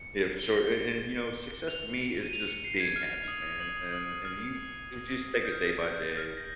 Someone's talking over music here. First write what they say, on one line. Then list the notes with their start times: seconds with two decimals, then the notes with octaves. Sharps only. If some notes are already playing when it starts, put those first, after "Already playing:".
Yeah, for sure, and and, you know, success to me is just being happy, man, and and you you just take it day by day,
Already playing: C#7
0.39 G7
1.68 F7
2.23 D#7
2.33 F7
2.48 C#7
2.64 C7
2.80 G#6
2.96 F6
3.23 F6
3.28 D#6
3.60 D#6
3.77 D#6
3.93 D#6
4.08 D#6
4.25 F6
5.45 G6
5.52 F6
6.17 F6
6.37 A#6